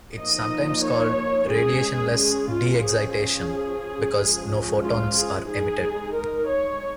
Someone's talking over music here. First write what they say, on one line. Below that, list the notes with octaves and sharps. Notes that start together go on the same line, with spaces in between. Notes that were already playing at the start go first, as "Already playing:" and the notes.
It is sometimes called "radiationless de-excitation", because no photons are emitted.
F3 A#3 D#4 D#5
C#5
G#3 C#4 G#4
G#4
F4
F3 C#4 G#4
G#4
F3 G#3 C#4
F4
G#4
G#3 D#4 G#4
A#4
C#5